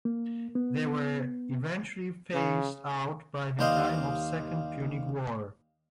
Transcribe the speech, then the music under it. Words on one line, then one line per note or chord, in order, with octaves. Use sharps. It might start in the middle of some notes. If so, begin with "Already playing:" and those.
They were eventually phased out by the time of Second Punic War.
A#3
B3
C#3
D#2 G3 C5 D#5 F5